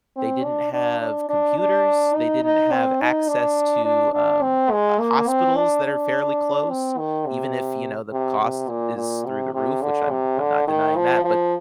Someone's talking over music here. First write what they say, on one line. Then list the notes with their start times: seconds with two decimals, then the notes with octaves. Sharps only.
they didn't have computers, they didn't have access to, um, uh, hospitals that are fairly close, even if, you know, the cost is through the roof, which I'm I'm not denying that, but
0.16 C4
0.44 D4
0.73 D4
1.01 D4
1.29 D4
1.58 D4
2.15 D#4
2.43 D#4
2.72 C4
3.01 D#4
3.29 D4
3.85 D4
4.13 D4
4.42 C4
4.71 G#3
5.00 A#3
5.28 C4
5.56 D4
5.85 D4
6.70 C4
6.98 D#3
7.26 C3
8.12 C3
8.41 C3
8.69 A#2
8.97 A#2
9.26 C3
9.54 C3
9.82 D3
10.11 C3
10.40 D3
10.68 D#3
10.96 F3
11.24 F3